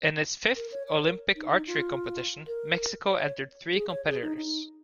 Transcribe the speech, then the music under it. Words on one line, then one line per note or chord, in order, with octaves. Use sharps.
In its fifth Olympic archery competition, Mexico entered three competitors.
A#4
C#5
C#5
A#4
D#4
D#4
F4
A#4
C#5
G#4
C#5
G#4
D#4
D#4